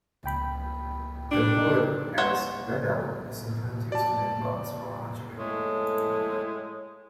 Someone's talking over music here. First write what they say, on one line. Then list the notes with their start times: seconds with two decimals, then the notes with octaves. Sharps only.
The wood, as 'red elm', is sometimes used to make bows for archery.
0.24 C#2 G5 B5
1.32 G3 D4
1.57 D#4
2.18 C5 C#5 F#5
3.92 D5 A5
5.39 A2 G#3 A4